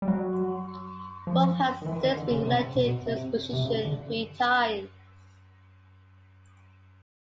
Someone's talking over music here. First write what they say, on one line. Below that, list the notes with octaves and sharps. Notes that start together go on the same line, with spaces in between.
Wolff has since been elected to this position three times.
G3
F#3
F3
D#3
E3
D#3
D3
C#3
C3
B2
C3
C3
C#3
D3